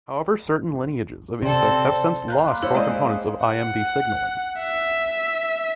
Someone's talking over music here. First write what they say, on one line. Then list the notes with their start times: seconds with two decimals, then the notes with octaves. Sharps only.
However certain lineages of insects have since lost core components of Imd signalling.
1.43 C3 C4 A4 C5 D5
2.28 F5 A#5 F#6 G6
2.48 A#3 B4 C6 D6
2.63 G3 E4 C5 C#5
2.75 G#3 C4 G#4 C5 D5 D#5
3.46 F#5
4.60 E5